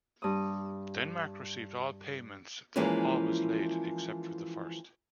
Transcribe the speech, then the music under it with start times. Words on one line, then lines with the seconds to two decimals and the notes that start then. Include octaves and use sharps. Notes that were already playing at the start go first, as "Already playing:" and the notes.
Denmark received all payments, though always late except for the first.
0.22 G2 D#6
2.76 E3 F3 G#3 A#3 C#4 E4